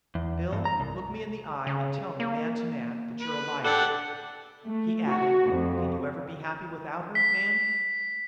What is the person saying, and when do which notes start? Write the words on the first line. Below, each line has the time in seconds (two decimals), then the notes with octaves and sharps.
"Bill, look me in the eye and tell me, man to man, that you're a liar!" He added: "Can you ever be happy without her, man?"
0.15 E2
0.52 G2
0.65 A#5
0.80 C2
1.67 C#3
2.20 A#3
3.21 B4
3.64 D4 G4 A4 F#5
4.67 A3
5.07 F#4
5.51 F2
7.15 B6